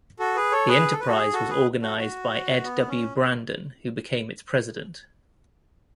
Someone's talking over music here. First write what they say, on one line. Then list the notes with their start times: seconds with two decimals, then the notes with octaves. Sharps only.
The enterprise was organized by Ed W. Brandon who became its president.
0.19 F#4 A4
0.35 G#4 B4
0.52 A4 C#5
0.68 G#4 B4
0.93 A4
1.00 B4
1.07 F#4 A4
1.17 G#4
1.33 F#4 A4
1.49 G#4 B4
1.82 F#4 A4
1.99 F#4
2.64 B3
2.88 C#4